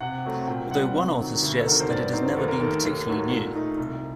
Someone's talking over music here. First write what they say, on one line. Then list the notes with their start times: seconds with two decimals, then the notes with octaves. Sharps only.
Although one author suggests that it has never been particularly new.
0.01 C3 F#5
0.25 F#3 A3 C4
0.47 A#2 G5
0.71 G3 C4 F#5
0.95 C3
1.19 D#3 F#3
1.42 D2
1.61 A4
1.66 C3 D#3 F#3 A#4
1.80 C5
1.89 G2 D5
2.13 F#3 C4 D#4 C5
2.36 D#2 A4
2.48 A#4
2.60 D#3 A3 A4
2.84 D#2
3.07 D#3 F#3 A3
3.30 A#2
3.55 A3 D#4
3.78 C2